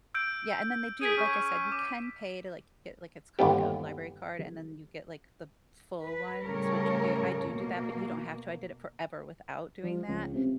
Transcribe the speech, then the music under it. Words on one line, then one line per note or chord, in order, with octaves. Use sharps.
Yeah, and then they do, like I said, you can pay to, like to get, like it's called, like, a library card and then you get, like, the full ones, which th I do do that, but you don't have to, I did it forever without doing that.
E6 G6 D7
G#4 B6 D7 D#7
C#4
D6
G1 D#2 B3 G4
B4
A2 C#3 G3 A4 A#4 C#5
B2 A#3
F3
C#2
C3